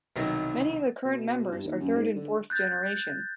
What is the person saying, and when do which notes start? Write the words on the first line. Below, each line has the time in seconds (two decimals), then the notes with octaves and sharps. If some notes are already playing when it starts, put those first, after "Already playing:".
Many of the current members are third and fourth generation.
0.16 C2 B2 D#3 F#3
1.05 B2
1.51 G2
1.65 D#2
1.80 F#2
1.95 G#2
2.15 D3
2.50 F#6 G6 A6